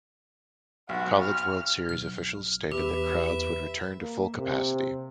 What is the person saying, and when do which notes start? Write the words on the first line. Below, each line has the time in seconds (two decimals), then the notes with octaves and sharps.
College World Series officials stated that crowds would return to full capacity.
0.89 B1 F#4
1.22 F6
1.89 B1 F6
2.72 E2 G4 B4 E5
4.00 A#3
4.38 C3